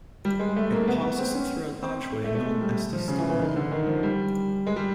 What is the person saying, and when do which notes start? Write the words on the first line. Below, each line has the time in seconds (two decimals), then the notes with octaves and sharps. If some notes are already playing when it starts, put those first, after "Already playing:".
It passes through an archway known as the Stonebow.
0.25 G3
0.39 G#3
0.56 A3
0.72 A#3
0.88 B3
1.03 B3
1.18 C4
1.35 C#4
1.83 C4
2.24 A3
2.35 A3
2.45 G#3
2.62 G3
2.93 F3
3.08 C#3
3.18 E3
3.30 E3
3.39 D#3
3.56 D3
3.72 D#3
3.87 F3
4.03 G3
4.67 G#3
4.76 G3